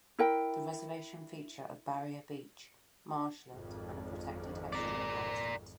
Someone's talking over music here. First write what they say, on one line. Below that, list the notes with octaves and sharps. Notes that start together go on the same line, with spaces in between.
The reservation features of barrier beach, marshland, and a protected estuary habitat.
E4 A#4 G5
G#1 F2
A#4 D5